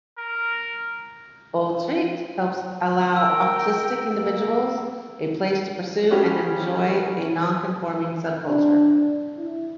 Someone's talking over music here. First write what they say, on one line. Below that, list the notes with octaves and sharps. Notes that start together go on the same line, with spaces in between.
Autreat helps allow autistic individuals a place to pursue and enjoy a nonconforming subculture.
A#4
A#4 G5 E6
A#3
G3 G#3 C#4 F#4 G4
D4
E4